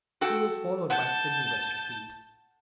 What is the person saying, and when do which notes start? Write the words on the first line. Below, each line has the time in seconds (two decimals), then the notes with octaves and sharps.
He was followed by Sydney Westerfield.
0.21 F#4 A4 G5
0.90 F#5 A5 G6